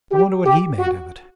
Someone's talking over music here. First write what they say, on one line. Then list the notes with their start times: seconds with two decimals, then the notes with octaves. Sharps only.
I wonder what he made of it?
0.12 G4
0.46 G4
0.79 F#4